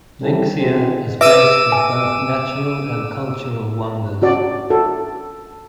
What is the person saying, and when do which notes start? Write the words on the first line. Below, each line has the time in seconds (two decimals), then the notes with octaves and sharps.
Linxia is blessed with both natural and cultural wonders.
0.21 G3 C4 C#4 E4 A4
0.59 C4 C#4 E4 F#4 G#4
1.21 B4 E5 D6 E6 D#7
1.72 G#5
4.22 C#4 F#4 D5
4.70 F#4 A4